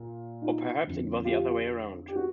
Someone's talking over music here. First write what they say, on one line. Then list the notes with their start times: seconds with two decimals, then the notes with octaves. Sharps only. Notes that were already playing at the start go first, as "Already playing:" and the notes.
Or perhaps it was the other way around.
Already playing: A#2
0.42 D#4 F4
0.83 F2 D3
1.25 F4 G4
2.08 G4
2.16 F#4